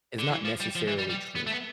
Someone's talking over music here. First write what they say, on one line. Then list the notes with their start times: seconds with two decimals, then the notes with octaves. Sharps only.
is not necessarily true.
0.19 D3
0.31 E3
0.45 F3
0.60 G3
0.75 F3
0.87 E3
0.98 G3
1.09 G3
1.35 B3
1.47 A3
1.51 B3